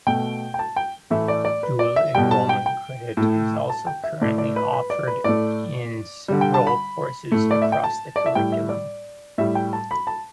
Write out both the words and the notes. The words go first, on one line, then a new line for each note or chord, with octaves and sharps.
Dual-enrollment credit is also currently offered in several courses across the curriculum.
B2 A3 G5
G5
A5
G5
A2 E3 A3 E5
D5
D5
B4
D5
E5
B2 G3 G5
A5
G5
G5
A2 A3
A5
G5
E5
A2 A3 D5
D5
B4
B4
D5
B4
A2 A3 D5
D3 G3
G5
A5
B5
A2 A3
D5
E5
G5
A5
D5
E5
A2 G3 G5
E5
D5
A2 G3 E5
G5
A5
B5
A5